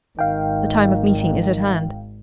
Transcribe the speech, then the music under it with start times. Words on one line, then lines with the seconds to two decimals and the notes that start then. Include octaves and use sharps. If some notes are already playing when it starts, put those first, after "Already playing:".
The time of meeting is at hand.
0.19 G#1 D#3 F5 G5